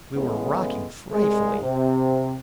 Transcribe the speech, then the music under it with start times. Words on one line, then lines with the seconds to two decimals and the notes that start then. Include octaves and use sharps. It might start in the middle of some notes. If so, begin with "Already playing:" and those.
We were rocking frightfully.
0.16 A1 A2 C#3 G#3 B3
1.11 C2 G#3
1.62 C3